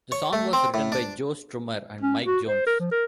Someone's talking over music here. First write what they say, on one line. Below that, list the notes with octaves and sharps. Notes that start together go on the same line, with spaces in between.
The song was written by Joe Strummer and Mick Jones.
C#5
A3
C4
A2
D4
C#4
F#4
C5
A#4
F3
A#4